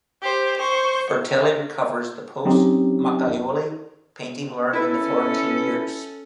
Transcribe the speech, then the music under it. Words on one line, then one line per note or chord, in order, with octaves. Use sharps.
Bertelli recovers the post Macchiaioli painting learned in the Florentine years.
G4 C5
C5 C#6
F#3 C4 C#4 D#4 G4
C#4 E4 A4 B4